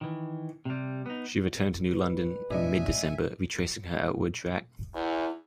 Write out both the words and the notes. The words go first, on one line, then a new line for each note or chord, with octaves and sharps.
She returned to New London in mid-December, retracing her outward track.
D#3 E3
C3 G3
B3 D#4
G3 B4
B1 F#2 A2 D4 D#5 E5 G#5
E2 E4